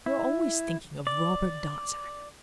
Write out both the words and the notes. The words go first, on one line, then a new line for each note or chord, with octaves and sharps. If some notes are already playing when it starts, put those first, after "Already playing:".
You are always thinking of Robert Darzac.
E4
D5